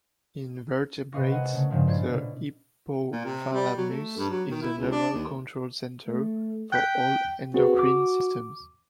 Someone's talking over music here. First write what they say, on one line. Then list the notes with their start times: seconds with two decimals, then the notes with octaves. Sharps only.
In vertebrates, the hypothalamus is the neural control center for all endocrine systems.
1.12 C3 B4 D#5 F5 C#6 A#6
1.30 G#3 A#4 F#5 D#7
1.53 C#3 A3 C#4
1.70 G2 A#2 C#3 F3 G#3
1.87 A#2 E4 C5 D5 G#6
2.14 B2
3.12 A#2
3.24 C3
3.53 G3
3.77 F#3
3.89 A3
4.17 G2
4.30 F#3
4.51 D#3
4.62 E4
4.78 C#2
4.91 D4
5.14 D#2
6.07 A3
6.72 G5 F#6 G6 B6
7.54 C4 F#4 G#4 B4
7.79 D6